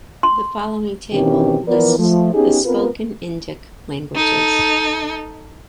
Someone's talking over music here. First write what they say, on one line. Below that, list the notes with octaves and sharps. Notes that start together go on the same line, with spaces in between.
The following table lists the spoken Indic languages.
C6
B2 D#3 E3 C4 C#4 G4
E3 F3 B3 A#4 D5
F3 A3
B3 C#4 D#4 G4 G#4
B3 C4 F4 A#4 B4
D#4 A4